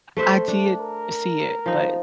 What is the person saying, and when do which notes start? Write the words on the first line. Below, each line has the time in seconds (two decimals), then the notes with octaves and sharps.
I did see it but
0.17 A3 C5 E5
0.48 D4
0.80 A#4
1.66 F3 D#4